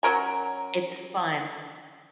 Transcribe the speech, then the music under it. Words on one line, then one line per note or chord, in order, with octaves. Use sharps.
it's fun.
F#3 C#4 A#4 G#5